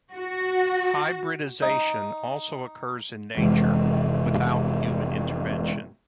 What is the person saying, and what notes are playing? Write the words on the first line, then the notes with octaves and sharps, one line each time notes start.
Hybridisation also occurs in nature without human intervention.
F#4
D#4
F1 C3 E3 G#3